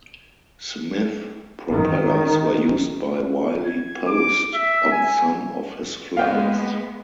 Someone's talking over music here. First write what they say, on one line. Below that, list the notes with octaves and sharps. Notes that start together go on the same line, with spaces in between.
Smith propellers were used by Wiley Post on some of his flights.
D#3
G#6
D6
E5
G#5
G#3 A#3 B3 F5 G5